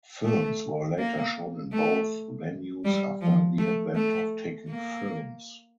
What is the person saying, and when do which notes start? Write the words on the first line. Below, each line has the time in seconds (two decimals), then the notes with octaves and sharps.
Films were later shown in both venues after the advent of talking films.
0.24 A3
0.98 A#3
1.72 A3
2.85 G3
3.22 F3
3.58 A3
3.95 A3
4.70 A#3